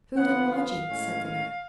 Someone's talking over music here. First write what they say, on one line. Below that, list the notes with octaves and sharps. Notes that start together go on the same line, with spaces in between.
"Food and lodging," said the man.
D3 F3 B3 F#5
F5
A2 G#3 C#4